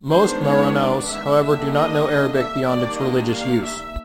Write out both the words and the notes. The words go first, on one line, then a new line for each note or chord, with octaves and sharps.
Most Maranaos, however, do not know Arabic beyond its religious use.
D#3 G#3 B3 D4 C5
C#5
D5
E5
D3 G3 A#3 D4 E5
D#5
E5
D#3 G3 A#3 D4 D5
D#5
F5
E5